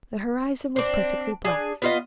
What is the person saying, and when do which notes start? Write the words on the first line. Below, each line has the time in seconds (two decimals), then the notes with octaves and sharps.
The horizon was perfectly black.
0.76 C4 D4
1.44 D4 G#4 G#5
1.82 B3 F4 D#5